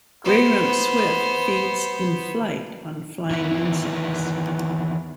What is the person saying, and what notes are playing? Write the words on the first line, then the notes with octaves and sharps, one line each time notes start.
Grey-rumped swift feeds in flight on flying insects.
B3 C5
D#3 E3 B3 E4